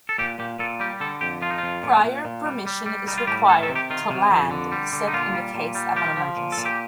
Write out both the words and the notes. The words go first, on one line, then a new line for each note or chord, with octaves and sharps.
Prior permission is required to land except in the case of an emergency.
A4
A#2 G4
A#2 G4
A#2 A4
G3 G4
D3 A4
F2 G4
F3 F4
D#4
F4
F2
A#2
A#2
A#2
G3
G3
G3
G3 D#4
F4
A2 G4
D#3 A4
A4
C3
G4
D#3 F4
C3
F2
D3
G3
D3
D#4
A#2 F4
G3
A#2
G3
F3 G4
F3
A#2
A4
A#2
G4